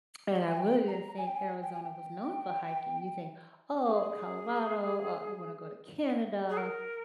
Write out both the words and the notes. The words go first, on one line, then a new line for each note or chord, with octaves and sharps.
and I really didn't think Arizona was known for hiking. You think, "Oh, Colorado, uh, you wanna go to Canada,"
G#5
G5
A#5
G#5
G5
G#5
G5
G#5
G5
G#4
G#4
A#4